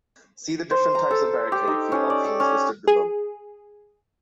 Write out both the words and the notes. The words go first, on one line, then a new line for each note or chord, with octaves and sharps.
See the different types of barricade feet options listed below.
C5
A#5
A4
G4
D#4
C#4
D5
A4
C#4
G#4